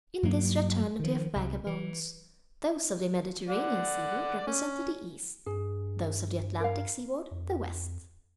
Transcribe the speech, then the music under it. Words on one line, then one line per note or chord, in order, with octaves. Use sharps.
In this fraternity of vagabonds, those of the Mediterranean seaboard represented the East, those of the Atlantic seaboard the West.
G2 F#3 A#3
D#3 F3
C2
E3
D5 F#5
C#4
G2 G#4
A#4 F5
F2